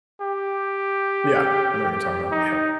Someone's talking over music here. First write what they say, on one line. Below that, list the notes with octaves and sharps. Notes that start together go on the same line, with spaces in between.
Yeah, I know what you're talking about, yep.
G4
D#4